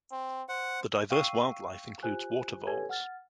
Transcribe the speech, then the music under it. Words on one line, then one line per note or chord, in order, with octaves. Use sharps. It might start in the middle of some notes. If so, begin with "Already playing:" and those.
The diverse wildlife includes water voles.
C4
C5 F#5
F5 G5 C#6 E6 C7 D#7
F4 G4 C5 G#5 F#6
G4 A4 B4 C#5 G#5 G#6
F#5 F6 A6